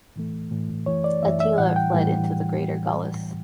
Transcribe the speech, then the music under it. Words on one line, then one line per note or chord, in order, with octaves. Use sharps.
Attila fled into the greater Gauls.
A2 E3 A3
A2 E3 A3
F#2 E3 A3 C#5
D5
F#2 E3 A3 E5
E5
A2 E3 G3 F#5
G5
A2 E3 G3